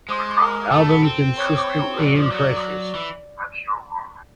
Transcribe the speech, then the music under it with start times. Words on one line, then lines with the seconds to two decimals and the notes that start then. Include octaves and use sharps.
The album consistently impresses.
0.09 G#3 C5
0.40 A#4
0.72 A3 A4
0.87 B3
1.03 C4
1.36 C#5
1.99 F#3 D5
2.15 F3
2.31 F#3
2.95 E3